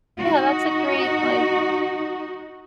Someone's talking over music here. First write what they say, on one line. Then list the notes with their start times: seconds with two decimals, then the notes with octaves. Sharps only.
yeah, that's a great, like
0.18 D#4 F#4